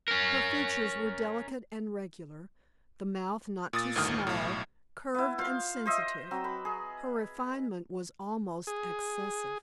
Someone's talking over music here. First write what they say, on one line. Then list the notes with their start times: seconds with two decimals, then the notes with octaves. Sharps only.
Her features were delicate and regular, the mouth not too small, curved and sensitive; her refinement was almost excessive.
0.08 C#4 A#4
3.73 A#2 D#6 A6
3.95 G1 D2 A2 D#3 D#6 F6
4.27 B1 A2
5.14 B3 E4
5.38 F4 C5 F5
5.86 C5 D#5 E5
6.31 F#3 C4
6.44 B4
6.65 G#4
8.67 G#4